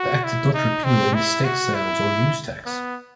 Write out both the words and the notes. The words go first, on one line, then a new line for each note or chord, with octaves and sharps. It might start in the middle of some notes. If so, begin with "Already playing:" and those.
The Act did not repeal any state sales or use tax.
Already playing: F#4
E4
D#4
C4
E4
F#4
E4
B3